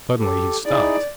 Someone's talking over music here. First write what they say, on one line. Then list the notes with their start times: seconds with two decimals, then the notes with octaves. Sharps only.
Suddenly he stopped.
0.18 G4 A4
0.66 D#4 E4 G#4 D5